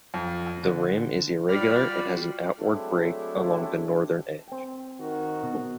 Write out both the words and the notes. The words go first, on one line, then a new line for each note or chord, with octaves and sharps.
The rim is irregular and has an outward break along the northern edge.
F2
D3
G3 F4 F#4 D5 B5 F6
F#3 G#3 A3 C4 D4 E4
C4 G5
D#3 F#4
B2